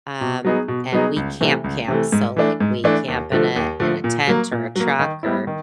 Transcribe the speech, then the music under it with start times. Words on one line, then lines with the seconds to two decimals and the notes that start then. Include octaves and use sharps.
um, and we camp, camp. So, like, we camp in a in a tent or a truck or,
0.21 B2
0.45 F#3 B3 D#4 G#4
0.68 B2
0.92 F#3 B3 D#4 G#4
1.16 C#2
1.41 C3 E3 A3
1.64 C#2
1.88 C3 E3 A3
2.12 G#2
2.37 E3 A3 D4
2.60 G#2
2.84 E3 A3 D4
3.08 D#2
3.32 D3 F3 A3
3.56 D#2
3.80 D3 F3 A3
4.04 A#2
4.27 F#3 A#3
4.52 A#2
4.76 F#3 A#3
4.99 D#3
5.23 G3 B3 E4
5.47 D#3